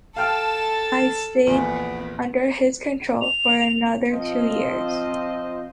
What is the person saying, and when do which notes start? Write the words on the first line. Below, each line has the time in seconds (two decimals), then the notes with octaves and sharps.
I stayed under his control for another two years.
0.16 A4 F5 G5 A5 F6
1.47 A#1 E2 B3
3.21 F7
4.12 F3 C4 F4 C5 D#5